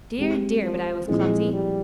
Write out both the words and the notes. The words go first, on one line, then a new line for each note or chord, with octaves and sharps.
Dear, dear, but I was clumsy!
G#3 C4 G4
F3
A#2 F3 G#3 C4 E4 G#4
G3